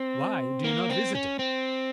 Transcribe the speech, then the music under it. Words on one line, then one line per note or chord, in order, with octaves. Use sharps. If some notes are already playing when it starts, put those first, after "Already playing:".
Why do you not visit her?
Already playing: C4
A#3
C4
C#4
C4